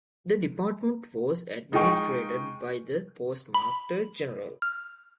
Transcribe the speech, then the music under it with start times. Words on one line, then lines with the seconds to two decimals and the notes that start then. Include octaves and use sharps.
The Department was administered by the Postmaster-General.
1.72 G#3 D#4 F4 G#4 G5 C#6
3.54 B5
4.62 F6